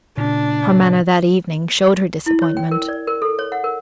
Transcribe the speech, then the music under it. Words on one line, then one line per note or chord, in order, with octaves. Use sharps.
Her manner that evening showed her disappointment.
A#2 C#3 D4
E4
C#5
G5
A#4
D5
A#4
A4
C#5
F#5
A#4